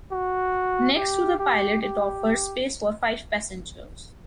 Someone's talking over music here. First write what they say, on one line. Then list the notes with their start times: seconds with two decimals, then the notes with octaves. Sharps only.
Next to the pilot it offers space for five passengers.
0.12 F#4
0.96 G4
1.39 G4
1.82 G4